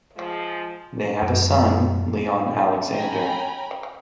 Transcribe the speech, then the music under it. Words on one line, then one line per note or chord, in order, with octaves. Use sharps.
They have a son, Leon Alexander.
F3 G#3
F#2
C#4 G5 G#5 A#5 B5